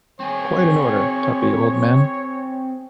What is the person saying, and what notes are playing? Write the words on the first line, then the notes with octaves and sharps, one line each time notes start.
Quite in order, Tuppy, old man.
C4 G#4 C#5